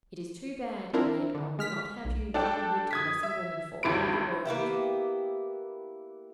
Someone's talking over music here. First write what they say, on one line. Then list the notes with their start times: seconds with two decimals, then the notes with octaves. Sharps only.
It is too bad; and yet I would not have you one whit less a woman for all the world.
0.93 C4 D4 E4 F4 A#4
1.35 D3
1.59 G#3 F6 B6
2.05 B1
2.34 D4 A4 G5 A5
2.91 D#6 G#6 B6
3.23 E5
3.83 G#1 D2 E3 B5 D7
4.45 A#3 B3 E4 G4